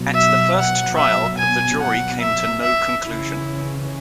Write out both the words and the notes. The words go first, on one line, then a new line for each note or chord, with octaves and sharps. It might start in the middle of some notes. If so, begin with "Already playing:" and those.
At the first trial, the jury came to no conclusion.
Already playing: B2 F#3 B3
E5
F#5
E5
G#5
F#5
E5
E5
C#3 E3 C#4 E4